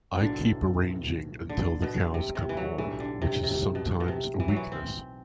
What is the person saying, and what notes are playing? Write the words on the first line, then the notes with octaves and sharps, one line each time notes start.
I keep arranging until the cows come home, which is sometimes a weakness.
B1 A2 D3 E3 A3
D3
B2
C3
C3
E3
F#3
B1 A2 E3 G3 D4 A4
D3
C3
C3
B2
B2
C3
E3
F#3
E3
C4